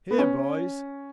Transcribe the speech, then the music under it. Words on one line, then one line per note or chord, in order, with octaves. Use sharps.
Here, boys!
B3
C#4